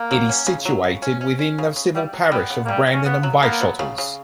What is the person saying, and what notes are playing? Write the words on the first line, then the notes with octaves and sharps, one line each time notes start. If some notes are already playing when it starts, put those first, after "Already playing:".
It is situated within the civil parish of Brandon and Byshottles.
Already playing: A#3
F#3
C#4
C#3
F#3
C#3
C#4
C#4
C#4
C#3
C#3
C#3 G3
F#3
G3 B3
C#3
A#3
C#3 G3
C#3
C#4
C#3 B3
F#3
A#3 B3
F#3
C#3
C#3